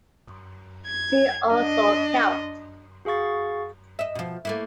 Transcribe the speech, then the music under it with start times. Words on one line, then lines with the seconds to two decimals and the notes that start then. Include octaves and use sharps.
See also celt.
0.87 G#6
1.53 D4 D#5
3.05 F#4 G#4 F5 C#6 A6
3.99 D#5 E5
4.15 B2 F3
4.45 A3 A#3 E4